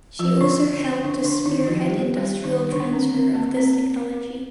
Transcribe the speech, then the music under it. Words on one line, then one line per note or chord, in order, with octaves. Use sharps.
She also helped to spearhead industrial transfer of this technology.
F3 F4
D3 D4
D3 D4
D3 D4
D#3 D#4
D#4
F3 F4
G3 G4
G3 G4
D#3 D#4
D3 D4
C4
C4
A#3
C4